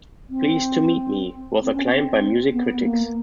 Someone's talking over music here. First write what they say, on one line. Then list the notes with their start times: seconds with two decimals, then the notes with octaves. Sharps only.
"Pleased to Meet Me" was acclaimed by music critics.
0.30 C4
1.63 C4
1.74 C#4
1.85 C4
2.52 B3
2.81 A#3